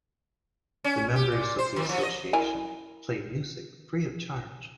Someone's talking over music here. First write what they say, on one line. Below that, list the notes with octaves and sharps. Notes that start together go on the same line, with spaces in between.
The members of the association play music free of charge.
C#4
G4
A#2
C5
D#3
F3
D#5
E4 A#4 G#5